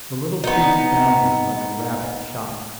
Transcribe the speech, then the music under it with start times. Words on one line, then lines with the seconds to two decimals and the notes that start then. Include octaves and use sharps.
The little priest bounded like a rabbit shot.
0.44 B3 D#4